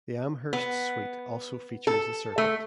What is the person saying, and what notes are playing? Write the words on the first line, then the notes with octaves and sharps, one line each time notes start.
The "Amherst Suite" also features the serpent.
B3
A4
A3